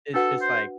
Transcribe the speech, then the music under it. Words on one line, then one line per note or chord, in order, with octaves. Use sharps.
it's just, like,
D4 F#4 A4 B4 F#5
C5